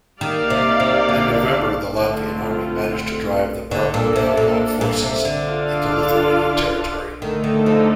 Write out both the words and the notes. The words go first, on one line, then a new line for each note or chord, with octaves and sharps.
In November the Latvian army managed to drive the Bermont-Avalov forces into Lithuanian territory.
D#3 A#3 D#4 G4 D5 F5
C3
C3
D3
D3 A3 C4 F4
D3 A#3 D4 A4
A#2
C3
A#2
A#2
C3
D3
D4 F4 A4 D5 F5
D3 D#3 A3 D#4 A4
D#3
F3